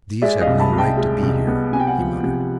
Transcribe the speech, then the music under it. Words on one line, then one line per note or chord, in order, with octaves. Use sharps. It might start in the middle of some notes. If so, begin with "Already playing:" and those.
"These have no right to be here," he muttered.
G#3 D5 E5
D#5 F5
C2
A5 B5
C2
G5 A5
G#3
C2
B3
C3 G#5
G5
F#5 G#5
F3
C3